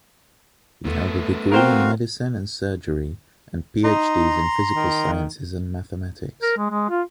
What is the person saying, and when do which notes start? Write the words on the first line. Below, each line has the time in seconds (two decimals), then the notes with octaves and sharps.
He held a degree in Medicine and Surgery and PhDs in Physical Sciences and Mathematics.
0.85 A3 B3
1.52 C4 F#4 A#4 C5 F5 G5
3.84 D#4 A#5 C6
4.75 D#3
6.42 A#4
6.57 G#3
6.70 G#3
6.90 F4